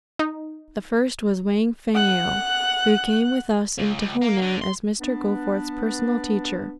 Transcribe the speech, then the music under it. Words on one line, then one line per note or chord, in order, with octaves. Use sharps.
The first was Wang Feng-ao, who came with us into Honan as Mr. Goforth's personal teacher.
D#4
F#5 F#6
C#2
C#2
A#3
D3
C6
B3 D4